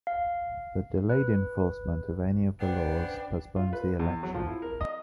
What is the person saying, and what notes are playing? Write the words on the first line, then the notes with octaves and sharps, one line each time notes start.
The delayed enforcement of any of the laws postpones the election.
F5
B4
C#3 B3 D4 B4 C5 G5
F4
B4
E2
F#3
F3
E4
A#4
D#5